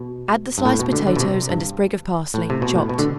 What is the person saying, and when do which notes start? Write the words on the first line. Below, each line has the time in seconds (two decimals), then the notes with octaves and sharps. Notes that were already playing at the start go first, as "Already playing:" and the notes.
Add the sliced potatoes and a sprig of parsley chopped.
Already playing: B2
0.58 G2
0.65 A2
0.79 B2
0.93 D3
1.07 D3
1.16 B2
1.20 C3
1.49 G2
2.34 A2
2.50 C3
2.62 B2
2.75 A2
2.89 B2
2.99 D3